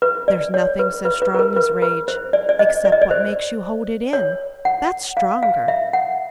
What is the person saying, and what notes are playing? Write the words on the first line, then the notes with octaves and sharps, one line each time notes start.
There's nothing so strong as rage, except what makes you hold it in--that's stronger.
B4
D5
C#5
B4
B4
B4
B4
A#4
B4
B4
C5
D5
D5
D#5
D5
D#5
D5
C5
C#5
F#5
F5
F5
E5
F#5